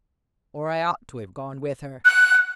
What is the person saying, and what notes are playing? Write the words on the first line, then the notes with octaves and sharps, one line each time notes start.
Or I ought to have gone with her.
F#6